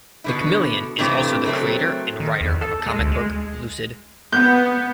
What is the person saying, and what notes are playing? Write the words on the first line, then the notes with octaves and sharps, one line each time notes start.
McMillian is also the creator and writer of a comic book, "Lucid".
B2 D3 E4
G2 C3 E3 A3 C4
F#3 A3 C4 A#4
D#3
E2
A4
G#3
D2
G#3
B3 G6